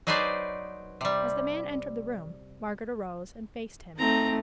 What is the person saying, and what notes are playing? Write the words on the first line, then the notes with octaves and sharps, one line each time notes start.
As the man entered the room, Margaret arose and faced him.
F#3 D#4 G#4 B4 C5 D5
C3 G3
A3 C4 D#4 A#5